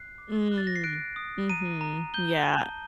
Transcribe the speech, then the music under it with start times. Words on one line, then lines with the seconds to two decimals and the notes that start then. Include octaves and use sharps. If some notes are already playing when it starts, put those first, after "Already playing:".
Mm. Mhm. Yeah.
Already playing: F#6 C7
0.18 D6
0.51 F#6
0.58 A6
0.67 A#6
0.76 C7
0.84 F#6 D7
1.16 D#6
1.50 A#5 D#7
1.81 A#5
2.14 G6 G7
2.46 A5